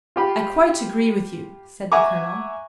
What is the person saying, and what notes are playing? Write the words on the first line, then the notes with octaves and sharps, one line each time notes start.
"I quite agree with you," said the Colonel.
F4 G4 B5
E5 F#5 G#5 A#5 C#6 D6